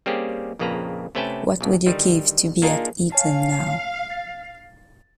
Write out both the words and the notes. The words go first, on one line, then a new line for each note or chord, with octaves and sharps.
What would you give to be at Eton now?
G3 A#3 C4 C#4 G4 G#4
A#1 F2 C#3 A#3 B4 A#5
C3 A3 C#4 B4 G5 A5
A#1 F2
D3 D#3 G3
A#3 D4 D#4 F4 G#4 A#4
C#5 F5 G#5 A5
A6